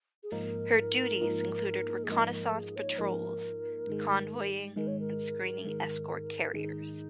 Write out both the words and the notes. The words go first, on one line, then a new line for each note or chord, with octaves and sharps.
Her duties included reconnaissance patrols, convoying, and screening escort carriers.
G#4
G#2 F3 A#3 D#4 A#4
G#2 F3 A#3 D#4
G#4
G#2 F3 A#3 D#4 A#4
A#4
G#4
C#5
G#2 F3 A#3 D#4 A#4
G#2 D#3 G#3
G#2 D#3 G#3 A#4
C#5
A#4
G#2 D#3 G#3
G#2 D#3 G#3 D#4